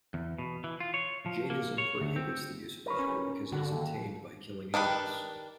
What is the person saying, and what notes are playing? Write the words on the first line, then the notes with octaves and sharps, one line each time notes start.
Jainism prohibits the use of leather because it is obtained by killing animals.
E2
B2
E3
F4
C#5
F3
A#3
C#5
D2
C4
A#4 B4 C#5
C#4
D3 F#4
D#2
D#3 D4 G4 B4